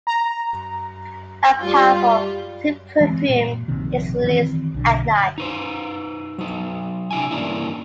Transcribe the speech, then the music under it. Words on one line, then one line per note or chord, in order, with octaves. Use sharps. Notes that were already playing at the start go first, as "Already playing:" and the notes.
A powerful, sweet perfume is released at night.
A#5
G3 F4
E3 G#3 A#3 C4
A#2
A#1 C3 D#3
D#3 E3 G3 C4
B1 D3
D#4 B4 C5
F#3 D#4
C3 D4 E4 G5 G#5
G2 E3 A#3 C#4 D4 E4